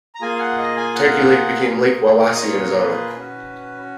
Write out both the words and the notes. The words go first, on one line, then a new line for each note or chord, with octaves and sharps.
Turkey Lake became Lake Wawasee in his honor.
A#5
A#3 F4 G#4 G#5
F5
F#5
D#5
G#5
F#5
A#3 F4 G#4
D#5
C#5
A#4
B4
C#4 F#4